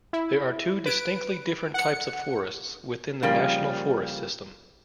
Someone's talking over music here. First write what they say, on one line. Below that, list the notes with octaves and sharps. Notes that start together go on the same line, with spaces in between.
There are two distinctly different types of forests within the National Forest system.
E4
B4 D7
F#5 C#7
C#3 F3 G3 A#3